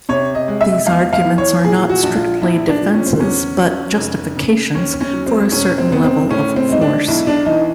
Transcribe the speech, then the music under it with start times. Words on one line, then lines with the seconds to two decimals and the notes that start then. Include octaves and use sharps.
These arguments are not strictly defences but justifications for a certain level of force.
0.09 C3 C#5
0.35 D#5
0.48 G#3
0.61 E5
0.86 E2 F5
1.13 F5
1.25 E3
1.38 C#5
1.64 A#2 G#4
1.89 F#4
2.03 A#1
2.16 F4
2.42 A#1 E4
2.68 D4
2.81 F3
2.94 C#4
3.06 C4
3.20 E2 C#4
3.58 F#3
3.97 F1
4.36 C#3
4.75 D#2 C#4
5.01 C#4
5.13 F#3
5.26 C4
5.52 E1 C#4
5.78 C4
5.91 C#3 B3
6.04 C4
6.29 A2 C#4
6.56 C4
6.68 G#3 D#4
6.81 D4
7.08 B1 E4
7.27 D4
7.46 E3 D#4